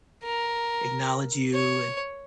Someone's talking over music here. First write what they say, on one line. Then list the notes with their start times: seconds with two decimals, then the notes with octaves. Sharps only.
acknowledge you, and
0.24 A#4
1.54 C#5